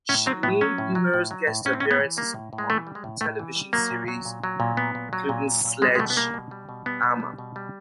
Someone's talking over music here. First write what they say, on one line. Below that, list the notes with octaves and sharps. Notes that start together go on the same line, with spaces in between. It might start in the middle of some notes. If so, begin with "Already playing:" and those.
She made numerous guest appearances on television series, including Sledge Hammer!
A2 C#4
F#3 C4
A2 B3
F#3 C#4
A2
F#3
A2
F#3
A2
A2 C#4
C4
A2 C#4
B3
E3
G3 A#3
A2
A2
G#3
E3 A3
G3
G#3
A2
A2 A3
E3
G3
F#3 A#3
A#2
F#3
A#2
F#3
A#2
F#3 B3
A#2
F#3
A#2
F#3
A#2
G3 G#3
G#3
B2 A3
B3
G3 A#3
B2
G3
B2
G3 B3
B2
G3
B2
G3